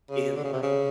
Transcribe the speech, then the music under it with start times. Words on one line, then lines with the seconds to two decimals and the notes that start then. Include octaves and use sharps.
in, like
0.11 C#3
0.36 D3
0.44 C#3
0.53 C3
0.63 C#3